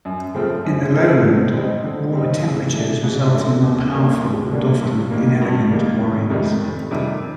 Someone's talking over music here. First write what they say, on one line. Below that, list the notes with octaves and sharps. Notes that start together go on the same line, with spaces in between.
In the lowland, warmer temperatures result in more powerful and often inelegant wines.
F#2
C#3 F3 A3 C4
F#2
C#3 F3 A3 C4
D3
G3 C4 D#4
D3
G3 C4 D#4
G#2
E3 A3 D4
G#2
E3 A3 D4
D#2
D3 G3 A#3 D4
D#2
D3 G3 A#3 D4
G2
D#3 G3 A#3
G2
D#3 G3 A#3
F1
F2 C3 D#3 G3
F1
F2 C3 D#3 G3